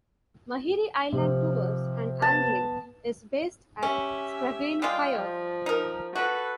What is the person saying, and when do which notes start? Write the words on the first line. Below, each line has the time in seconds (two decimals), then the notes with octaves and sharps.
Maheree Island Tours and Angling is based at Scraggane Pier.
1.12 C3 F3
2.22 B3 A5
3.83 C#4 G4 E5
4.82 G3 G#3 F4 G5
5.12 F3
5.66 D#4 A#4
6.15 F#4 A4 B4